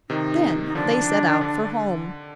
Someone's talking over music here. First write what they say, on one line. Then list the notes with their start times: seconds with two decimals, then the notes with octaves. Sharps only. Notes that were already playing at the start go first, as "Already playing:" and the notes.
Then they set out for home.
0.09 C3 D#3 D#4
0.66 D#4
0.75 D3 F3 D4
1.41 D3